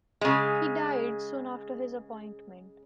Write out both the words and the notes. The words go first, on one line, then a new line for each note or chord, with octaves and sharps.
He died soon after his appointment.
C#3 G#3